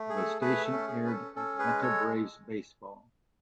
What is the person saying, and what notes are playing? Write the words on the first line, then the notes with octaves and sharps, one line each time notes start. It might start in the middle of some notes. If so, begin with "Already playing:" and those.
The station aired Atlanta Braves baseball.
Already playing: A3
G#4
A4
A3 G#4 B4
A4
C#4
G#4
C#4 B4
A4
C#4 A4
G#4 B4
G#3
A4 C#5